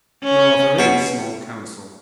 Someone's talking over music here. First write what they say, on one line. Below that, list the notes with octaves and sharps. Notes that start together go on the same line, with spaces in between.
Nor for any small Council.
C#4
B2